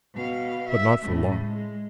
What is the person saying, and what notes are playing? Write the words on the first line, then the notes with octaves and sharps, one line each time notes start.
But not for long.
B2 F5
E5
A2 C#3
G#3